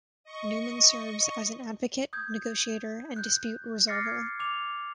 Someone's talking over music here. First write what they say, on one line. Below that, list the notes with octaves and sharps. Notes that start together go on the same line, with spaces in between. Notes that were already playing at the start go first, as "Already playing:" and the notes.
Newman serves as an advocate, negotiator and dispute resolver.
D#5 C#6
D#6 G6 G#6
F#6 G6
D6 F6 A6 A#6 C7 C#7
G#6
D6 F7